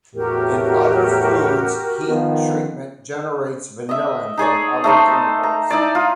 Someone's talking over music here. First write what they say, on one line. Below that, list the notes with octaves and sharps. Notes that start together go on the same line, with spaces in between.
In other foods, heat treatment generates vanillin from other chemicals.
E2 A2 F#4 G4 A#4
D#3 F3 B3
D#5 E5
D#4 G#4 C#5 D5
A3 D#4 C5
A#5
D#4 E4 D5
F4